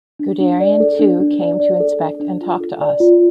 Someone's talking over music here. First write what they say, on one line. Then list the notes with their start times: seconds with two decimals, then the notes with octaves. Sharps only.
Guderian too came to inspect and talk to us.
0.19 D4
0.40 D4
0.60 D5
0.80 A4
0.99 D4
1.20 D4
1.40 D5
1.60 D5
1.80 A4
2.00 D4
2.20 D4
2.41 F4
2.60 A4
2.81 D5
3.00 F4